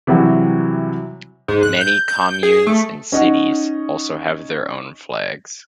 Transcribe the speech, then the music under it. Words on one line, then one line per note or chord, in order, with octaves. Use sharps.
Many communes and cities also have their own flags.
C3 E3 F#3 G3 F#4
G#2
F#6
G6
G6
G#4
A3
C#4 D#4 D#5 F#5